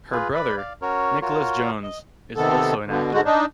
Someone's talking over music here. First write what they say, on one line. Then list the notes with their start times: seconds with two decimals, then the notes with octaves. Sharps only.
Her brother, Nicholas Jones, is also an actor.
0.12 F4 G#4 B4
0.34 B4 D5 B5
0.57 D5 F5
0.82 C#4 F#4 A#4 C#5
1.22 F4 F#4 A#4 C#5
1.83 D#5
2.37 C3 D#3 B3 A4
2.87 B2 D3
3.13 G#2 D3 G#3 F#4
3.25 D4 D#4